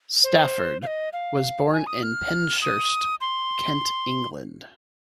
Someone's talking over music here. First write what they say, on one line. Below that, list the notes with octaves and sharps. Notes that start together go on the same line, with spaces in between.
Stafford was born in Penshurst, Kent, England.
C5
F5
D#5
F5
G#5
D#6
F6
D#6
C6